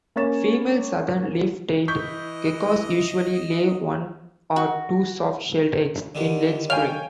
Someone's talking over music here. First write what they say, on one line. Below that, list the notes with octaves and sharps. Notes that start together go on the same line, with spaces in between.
Female southern leaf-tailed geckos usually lay one or two soft-shelled eggs in late spring.
A#3 C#4 C#5 A6 E7
E3 D#5 C#6 G6 B6
F#4
D3 D#3 G3
C#5 F5 G5 G#5